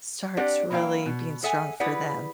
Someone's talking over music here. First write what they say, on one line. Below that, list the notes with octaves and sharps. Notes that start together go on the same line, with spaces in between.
starts really being strong for them.
C4 D4 G4 D5 F#5
F#3 A#3 E4 C#5 F5 G5
B2
G#4 A4 E5 F#5 G#5
E4 G4 G#4 B4 D5 F#5